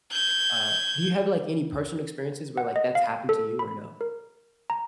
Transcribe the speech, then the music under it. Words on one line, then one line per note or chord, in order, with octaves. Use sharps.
uh, do you have, like, any personal experiences where, like, that's happened to you or no?
G6 G#6
F#5
D#5
F5
A4
B5
A#4
A#5